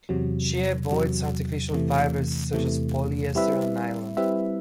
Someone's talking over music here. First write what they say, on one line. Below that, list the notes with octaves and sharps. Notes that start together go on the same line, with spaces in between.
She avoids artificial fibres such as polyester or nylon.
E2 C3 F#3
E2 C3 F#3
E2 C3 E3 A3
E2 C3 E3 A3
G3 C4 E4 B4 E5
G3 C4 E4 B4 E5